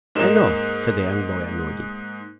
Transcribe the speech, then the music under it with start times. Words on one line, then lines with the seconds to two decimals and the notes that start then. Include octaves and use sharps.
"I know," said the young lawyer, nodding.
0.15 G#2 A#3 D#4 A#4 E7